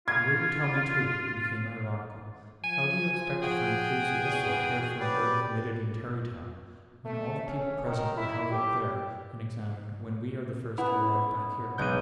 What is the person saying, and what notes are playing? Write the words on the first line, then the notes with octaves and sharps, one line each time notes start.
And will you tell me, too"--he became ironical--"how do you expect to find clues of this sort here for a murder committed in Tarrytown when all the people present were held out there and examined, when we are the first to arrive back here?
F4 G#6
F3 G#5
F#4 G#4 G5
E2
C3 D#3 F#3 G4 B4 D5
A3
C#4
D#3
E4
G4
B3 C#4 E4 F#5 B5
B1 G#3 F#6 G6 D#7